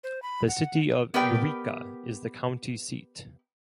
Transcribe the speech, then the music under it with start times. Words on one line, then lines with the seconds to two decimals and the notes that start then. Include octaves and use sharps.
The city of Eureka is the county seat.
0.04 C5
0.22 B5
0.48 F#5
1.14 B3 G4 A#4 B4 D5 G5